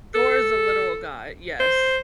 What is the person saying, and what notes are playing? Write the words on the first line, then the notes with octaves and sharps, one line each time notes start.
Thor is a literal god, yes.
A4
C5